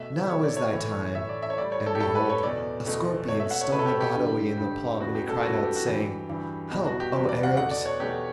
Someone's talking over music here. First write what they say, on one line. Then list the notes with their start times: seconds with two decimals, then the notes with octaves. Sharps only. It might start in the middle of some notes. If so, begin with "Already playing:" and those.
Now is thy time!" And behold, a scorpion stung the Badawi in the palm and he cried out, saying, "Help, O Arabs!
Already playing: B2 A3 E5
0.29 B2 A3 C#5
0.43 D5
0.57 C#5
0.72 A2 E3 A3
1.15 A2 E3 A3 E5
1.29 D5
1.42 E5
1.50 C#5
1.57 A2 G3 D5
1.72 C#5
1.86 A4
1.95 G4
2.00 A2 G3 A4
2.15 B4
2.29 C#5
2.43 E2 B2 A3 D5
2.86 E2 B2 A3
3.28 B2 A3 C#5
3.40 E5
3.51 F#5
3.61 C#5
3.72 B2 A3 B4
3.79 A4
3.86 G4
4.00 G4
4.14 G2 D3 G3
4.57 G2 D3 G3
5.00 E2 C#3 G3 F#4
5.15 G4
5.29 A4
5.43 E2 C#3 G3 F#4
5.54 A4
5.64 G4
5.76 F#4
5.86 G2 E3 G3 G4
6.29 G2 E3 G3
6.71 E2 B2 G3
6.86 F#4
7.00 G4
7.14 E2 B2 G3 G4
7.29 D5
7.43 F#5
7.57 E2 B2 A3 F#5
7.71 D5
7.86 C#5
8.00 E2 B2 A3 G4